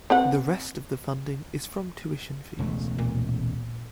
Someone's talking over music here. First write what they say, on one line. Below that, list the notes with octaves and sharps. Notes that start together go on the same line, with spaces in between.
The rest of funding is from tuition fees.
C4 B4 F#5
E1 C#2 A3
A#2